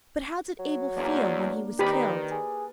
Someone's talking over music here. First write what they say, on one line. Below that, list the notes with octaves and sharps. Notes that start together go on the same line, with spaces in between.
But how did Abel feel when he was killed?
F#3
E2 A#3 D4
D#3 G4 A#4 B4 D5 B5
G#4